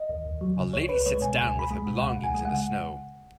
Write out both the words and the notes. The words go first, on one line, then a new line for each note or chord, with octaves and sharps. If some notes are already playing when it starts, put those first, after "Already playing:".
A lady sits down with her belongings in the snow.
Already playing: D#5
D#2
D#2
F#3
C#3
C#2 C#5
C#2 B4
G#3 C#5
B2 G#5
C#2 G#5
C#2
B5
G#3
B2
C#2 F#5
C#2 G#5
G#3
C#3 F#5